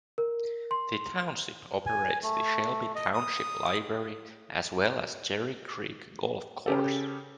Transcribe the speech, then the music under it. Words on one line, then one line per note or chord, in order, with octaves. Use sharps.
The Township operates the Shelby Township Library as well as Cherry Creek Golf Course.
A#4
C6
G#5
A3
D#5
D#6
C#3 C#4 G4 A4